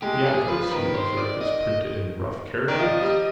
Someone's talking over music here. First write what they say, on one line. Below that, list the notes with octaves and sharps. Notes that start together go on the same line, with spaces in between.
The address, you observe is printed in rough characters.
G#3 G4
G3 G#4
F3 B4
D#3 B4
C5
D5
D#5
D#3 D5
F3 D#5
G3